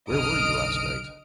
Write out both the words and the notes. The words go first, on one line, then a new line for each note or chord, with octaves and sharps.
Where were you last night?
F#1 B1 D3 D#5 D#6 F6 D7